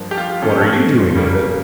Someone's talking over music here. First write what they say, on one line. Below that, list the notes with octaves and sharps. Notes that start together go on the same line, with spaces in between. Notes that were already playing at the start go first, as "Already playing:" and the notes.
"What are you doing with it?"
Already playing: G2 F3 A#3
G4
F4
A#2 F3 C#4 A4
G4
A4
C#3 G3 A#3